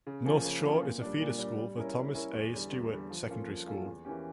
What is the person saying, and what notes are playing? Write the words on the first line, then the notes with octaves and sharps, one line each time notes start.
North Shore is a feeder school for Thomas A. Stewart Secondary School.
C#3
F3 A#3 C#4
C#3
F3 A#3 C#4
A#2
G3 D4
A#2
G3 D4
G3
C#4 E4 A#4 C#5
G3
C#4 E4 A#4 C#5
E2
D3 G3
E2
D3 G3
F3
A#3 C#4 F4 A4
F3
A#3 C#4 F4 A4
E2
E3 A#3 C#4 G4